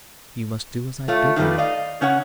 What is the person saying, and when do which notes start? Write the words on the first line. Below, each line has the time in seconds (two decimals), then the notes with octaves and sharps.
You must do as I bid you.
1.08 A3 F4 C#5
1.36 D#3 G3 A3 F4 B4
1.58 D5 D#5 F5
2.01 C#3 C#4 C#5 F#5